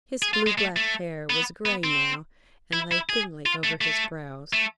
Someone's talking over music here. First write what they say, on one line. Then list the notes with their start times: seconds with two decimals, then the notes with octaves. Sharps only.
His blue-black hair was grey now, and lay thinly over his brows.
0.22 G#4
0.34 F4
0.47 G#3
0.58 A3
0.76 A3
1.30 B3
1.66 B3
1.84 C4
2.73 E4
2.92 E4
3.09 G#4
3.46 F4
3.64 A3
3.81 A3
4.53 A3